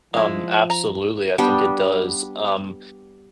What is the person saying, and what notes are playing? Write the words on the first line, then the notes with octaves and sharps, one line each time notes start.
Um, absolutely, I think it does. Um,
F3 G#3 E4
A#5
G3 B3 D4 G5